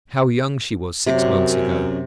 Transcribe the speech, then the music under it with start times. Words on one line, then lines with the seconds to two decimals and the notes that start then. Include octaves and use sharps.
How young she was six months ago!
1.06 F#2 C3 D6